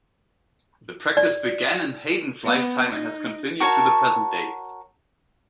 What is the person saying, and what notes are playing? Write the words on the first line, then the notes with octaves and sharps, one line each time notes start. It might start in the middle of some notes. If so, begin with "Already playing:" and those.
The practice began in Haydn's lifetime and has continued to the present day.
D5
B3
D#4
F#4 A#4 C#5 A5